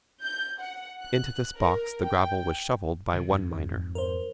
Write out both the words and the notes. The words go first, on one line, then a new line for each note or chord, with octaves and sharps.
Into this box the gravel was shovelled by one miner.
G6
F#5
F#6
A#4
G5
C3 D#3
F2 G#2
A#4 C5